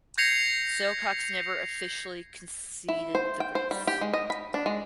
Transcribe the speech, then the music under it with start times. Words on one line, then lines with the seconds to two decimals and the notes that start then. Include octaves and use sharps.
Silcox never officially conceded the race.
0.18 G6 G#6 A#6 C7 C#7 F7
2.89 E4
3.15 C5
3.40 G5
3.55 C5
3.71 G3
3.87 G4
4.01 G#3
4.14 D#5
4.30 B5
4.54 D4
4.66 G#3